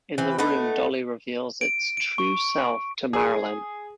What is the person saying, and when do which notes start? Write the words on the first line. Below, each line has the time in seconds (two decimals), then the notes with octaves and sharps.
In the room Dolly reveals its true self to Marilyn.
0.18 E3 C4
0.39 A3 B3 D#4
1.61 D7
1.97 D7
2.18 C#6
3.13 G#4